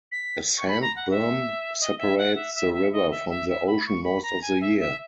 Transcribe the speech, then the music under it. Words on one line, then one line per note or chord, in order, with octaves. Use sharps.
A sand berm separates the river from the ocean most of the year.
B6
C#6
B5
A#5
F#5
E5
D#5
E5
F#5
E5
E5
E5
D#5
E5
E5
E5
B5
C#6
B5
A#5
G#5
E5
E5